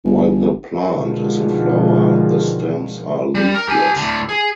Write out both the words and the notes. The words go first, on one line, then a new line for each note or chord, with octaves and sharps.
While the plant is in flower the stems are leafless.
G1
B2 D3 D#3 F3 G#3
G3
A#4
G4 G#5
A2 D3
G#4